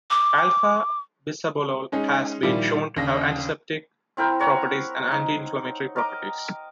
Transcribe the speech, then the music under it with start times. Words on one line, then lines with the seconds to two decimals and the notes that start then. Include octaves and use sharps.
Alpha-bisabolol has been shown to have antiseptic properties and anti-inflammatory properties.
0.11 D6
1.92 G#3 C#4 D#4 G#4
2.43 A#2 D#3 F3 G3 E4
2.96 D#2 C#3 D4 A#6
4.17 C4 E4 A#4 G5
4.40 C4 C#5 F#5 A#5
5.12 D#4
5.96 A#4 D#5 D6